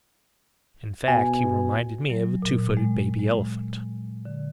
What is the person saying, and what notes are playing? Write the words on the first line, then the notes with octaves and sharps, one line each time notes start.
In fact, he reminded me of a two-footed baby elephant.
B2 G#5
F#3
A#2
G#3
G#3
D3